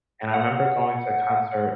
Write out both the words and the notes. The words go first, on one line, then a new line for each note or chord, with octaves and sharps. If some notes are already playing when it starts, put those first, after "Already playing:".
and I remember going to a concert
F#5